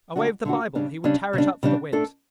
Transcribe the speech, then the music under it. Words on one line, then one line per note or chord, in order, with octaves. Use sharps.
Away with the Bible: he would tear it up for the winds!
D3 A3 D4 F#4
D3 A3 D4 F#4
C#3 G3 D4
C#3 G3 D4
C#3 G3 D4
C#3 G3 D4
A3 D4 A4